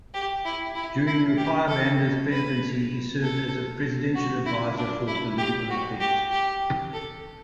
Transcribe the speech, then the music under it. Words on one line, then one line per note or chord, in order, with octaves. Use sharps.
During Rupiah Banda's presidency, he served as a Presidential Advisor for Political Affairs.
G4
E4
E4
E4
G4
A4
B4
A4
F#4
E4
D4
E4
G4
F#4
G4
G4
A4